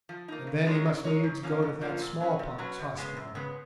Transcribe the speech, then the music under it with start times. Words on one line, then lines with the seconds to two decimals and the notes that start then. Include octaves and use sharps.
And then he must needs go to that smallpox hospital.
0.09 F3
0.28 A#3 D#4
0.47 C#3
0.66 G#3 D#4 A#4 C#5
0.85 C#3
1.04 G#3 D#4 A#4 C#5
1.23 G#2
1.43 F3 A#3 C#4 F4
1.62 G#2
1.81 F3 A#3 C#4 F4
2.01 A#2
2.20 F#3 C#4 F#4 B4
2.39 A#2
2.58 F#3 C#4 F#4 B4
2.78 F#2
2.97 C#3 G#3 B3
3.17 F#2
3.35 C#3 G#3 B3